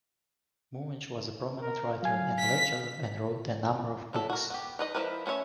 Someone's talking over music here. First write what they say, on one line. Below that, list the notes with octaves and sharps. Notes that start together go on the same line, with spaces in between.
Muench was a prominent writer and lecturer and wrote a number of books.
A#4
F#3 F5 G#5
B6
F#3 E4 A4
F#4 A#4
B3 G4
D#4 B4 D#5
F3 C#4 E4 A#4 B4
A3 C#4 F4 C#5 E5